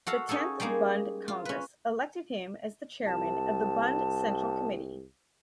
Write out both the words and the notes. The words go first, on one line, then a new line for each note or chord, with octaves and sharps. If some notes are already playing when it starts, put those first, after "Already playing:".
The tenth Bund congress elected him as the Chairman of the Bund Central Committee.
F#4 A4 F5
C#4 D#4 G#4 A4
G3 G#3 A#3 D#4 G#4
F4
C#4 B4
C2 A5